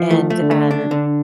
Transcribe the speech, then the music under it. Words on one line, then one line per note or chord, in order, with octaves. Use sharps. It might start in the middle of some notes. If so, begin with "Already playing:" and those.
and, um
Already playing: F3
E3 A3
A3
D3
A3
D4
D3